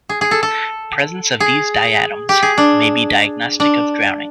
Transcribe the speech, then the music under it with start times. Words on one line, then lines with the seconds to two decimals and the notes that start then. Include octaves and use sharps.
Presence of these diatoms may be diagnostic of drowning.
0.09 G#4
0.21 G#4
0.31 A4
0.43 A4
1.40 G#4
2.29 G4
2.43 G#4
2.58 D4
3.60 D4